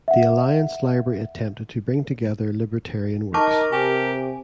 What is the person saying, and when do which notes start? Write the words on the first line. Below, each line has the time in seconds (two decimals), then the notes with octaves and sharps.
The Alliance library attempted to bring together libertarian works.
0.08 E5 F#5
3.34 D#4 A#4 A5 C#6 D6
3.72 C3 G4 G#5